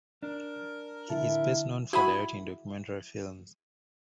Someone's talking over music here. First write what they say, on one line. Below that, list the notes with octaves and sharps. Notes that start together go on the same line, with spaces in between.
He is best known for directing documentary films.
D4 A#4
D3 E4 A5
E4 F#4 G#4 B5